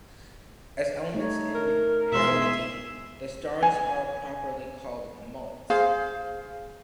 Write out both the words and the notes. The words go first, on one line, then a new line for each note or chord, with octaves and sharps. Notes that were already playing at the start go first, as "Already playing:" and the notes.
As elements in heraldry, the stars are properly called mullets.
A3 D#4 C#5
A#4
B2 G#3 G#4 E5 C6
G#5
G#4 C5 F5